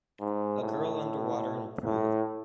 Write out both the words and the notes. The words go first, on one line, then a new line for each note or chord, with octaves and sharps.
A girl underwater in a pool.
G#2
A2
A2